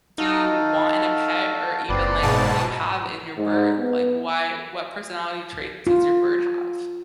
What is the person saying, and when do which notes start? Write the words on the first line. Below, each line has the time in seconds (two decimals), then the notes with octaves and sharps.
do you want in a pet, or even, like, do you have in your bird? Like why what personality traits does your bird have?
0.18 D#4 F#4 A4 F5
1.89 F#1 C4 B4 D5
2.23 G#2 B2 A5
3.37 G#2
3.77 B3
5.87 F4